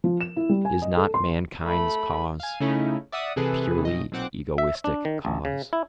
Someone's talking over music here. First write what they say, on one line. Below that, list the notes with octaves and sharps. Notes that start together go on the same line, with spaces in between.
Is not mankind's cause--a purely egoistic cause?
F3
E7
E4
G3
G#5
D#5
A4
C6
A3 B5
F5 G#5
C#3 A3 C#4 D#4 E4
D5 E5 F#5 D#6
C3 E3 G#4 A4 B4
B1 D#5
B1 A#2 C4 F#5 D6
E5
D4
D#3
A1
C#3
E4